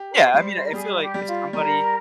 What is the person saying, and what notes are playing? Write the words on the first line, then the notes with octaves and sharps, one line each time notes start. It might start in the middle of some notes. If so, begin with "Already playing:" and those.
Yeah, I mean I feel, like, if somebody's,
Already playing: G4
A#4
C5
G3 C5
C5
A#4
G3 G#4
F4
G4
G3
F4
G3 A#4